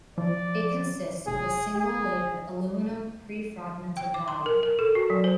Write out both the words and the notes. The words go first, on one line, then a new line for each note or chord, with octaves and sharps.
It consists of a single layered aluminium pre-fragmented body.
F3 D5
F1 G#4
G#4
G5
D6
C6
A#4
A#4
A4
F#4
F#3
C5